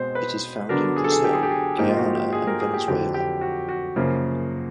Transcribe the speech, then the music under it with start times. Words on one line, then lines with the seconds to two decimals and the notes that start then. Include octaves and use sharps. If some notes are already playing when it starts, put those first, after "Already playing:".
It is found in Brazil, Guyana and Venezuela.
Already playing: B2 G#3 C4 C5
0.15 B4
0.69 D3 F#3 B3 D4 A#4
0.96 G#4
1.04 A4
1.12 G#4
1.24 G4
1.34 G#4
1.43 G4
1.51 G#4
1.78 G#2 F3 A#3 D#4 G4
1.89 F4
1.97 F#4
2.16 G4
2.33 G#4
2.47 A#4
2.61 G#4
2.74 G4
2.88 F2 D3 F#3 G4
3.14 G4
3.41 F#4
3.69 F#4
3.96 F#2 C#3 F3 A#3